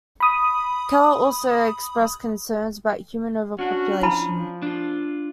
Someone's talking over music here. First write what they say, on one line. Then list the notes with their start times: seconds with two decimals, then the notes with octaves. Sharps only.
Keller also expressed concerns about human overpopulation.
0.20 B5 D#6
3.59 C#4 D4 F#4
4.03 F3 E4 A5 B5
4.62 D4 F4